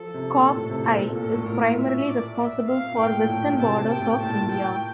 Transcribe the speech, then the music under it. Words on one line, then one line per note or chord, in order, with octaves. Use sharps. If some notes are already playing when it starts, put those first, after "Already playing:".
Corps I is primarily responsible for western borders of India.
Already playing: F3 A4
C3
A#2
A2
C3
A#2
A#2 A4
A2
A#2 A#4
A#2
E5
D5
E5
F5
A#2
A2 G5
A#2
A2
A#2
C3 A5
C3
G5
A2
A#2 A5
A#2
G5